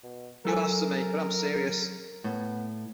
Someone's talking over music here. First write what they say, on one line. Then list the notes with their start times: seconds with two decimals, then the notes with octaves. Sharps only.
He laughs at me - but I'm serious.
0.03 B2
0.45 F#3 A4 A#4 G#5
2.24 A2 B3